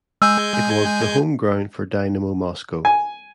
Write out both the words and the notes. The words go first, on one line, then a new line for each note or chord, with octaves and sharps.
It was the home ground for Dynamo Moscow.
G#3 G#5 E6 G6
G#5